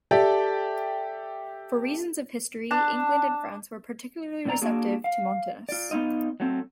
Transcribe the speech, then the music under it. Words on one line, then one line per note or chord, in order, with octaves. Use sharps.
For reasons of history England and France were particularly receptive to Montanus.
G4 A4 D5 E5 G5
D4 A5
A2 D3 C4 D5 A#5
A#3 D4 F#4 G#4
F5
F4 D5
B3 C4 D#4 F4 D#5
F#3 A3 C4